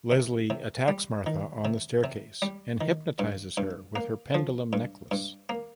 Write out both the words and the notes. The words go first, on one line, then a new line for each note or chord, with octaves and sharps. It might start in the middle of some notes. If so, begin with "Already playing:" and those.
Leslie attacks Martha on the staircase and hypnotizes her with her pendulum necklace.
C3
C3
G3
D#3
C3
C3
G3
D#3
G2
G2
A#3
F3
G2
G2
A#3